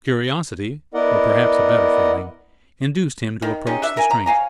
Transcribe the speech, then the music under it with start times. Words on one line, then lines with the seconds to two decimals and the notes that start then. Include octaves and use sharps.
Curiosity, or perhaps a better feeling, induced him to approach the stranger.
0.94 B3 E4 A#4 D5 D#5 F#5
3.42 D#3
3.67 G3 G#3 C#4 D#4
3.82 D4 E5
3.97 A#4 G#5
4.11 A#5
4.26 C#5 F5 G#5 A#5